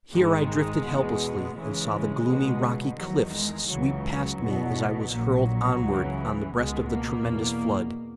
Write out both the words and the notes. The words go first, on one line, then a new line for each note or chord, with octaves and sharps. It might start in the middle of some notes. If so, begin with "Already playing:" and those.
Here I drifted helplessly, and saw the gloomy, rocky cliffs sweep past me as I was hurled onward on the breast of the tremendous flood.
G#1 G#2 D#3 G#3
E2 B2
C#2 C#3 E3 G#3
C#2 B2
E2 D#3 F#3
G#3
C#2 C#3 E3 F#3
E2 B2
A#1 A#2 F#3
C#2 C#3 E3
C#2 B2 G#3
A#3
E2 B2